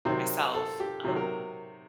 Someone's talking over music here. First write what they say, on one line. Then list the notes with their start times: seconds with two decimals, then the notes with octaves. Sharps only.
myself, um,
0.05 C3 D#3 F#3 C5
0.54 A4
0.80 G4
1.04 C3 D#3 F#3
1.16 A#4